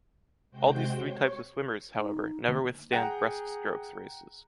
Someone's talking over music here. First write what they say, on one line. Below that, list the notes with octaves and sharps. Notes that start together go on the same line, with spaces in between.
All these three types of swimmers, however, never withstand breaststrokes races.
C3 G#3 F#4 C5 G5 G6
C#5
D#4
D3 A#3
G#4 F#5 G5 A#5